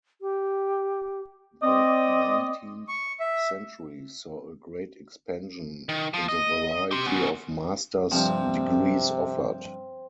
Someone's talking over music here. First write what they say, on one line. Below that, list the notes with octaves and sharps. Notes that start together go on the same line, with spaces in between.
The nineteenth century saw a great expansion in the variety of master's degrees offered.
G4
C4 D5 D#5
C#6
E5
D#3
F3
D#5
G4 C6
B3 C#4
G2 C3 F3 C4